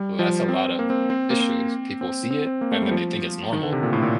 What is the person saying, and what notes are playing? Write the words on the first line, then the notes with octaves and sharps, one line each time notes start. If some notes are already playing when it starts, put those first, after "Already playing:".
That's a lot of issues, people see it and then they think it's normal
Already playing: G3
F3
C4
A#3
C4
C4
A#3
C4
C4
C4
C4
A#3
A3
G3
F3
D#3
D3
C3
A#2
A2
A#2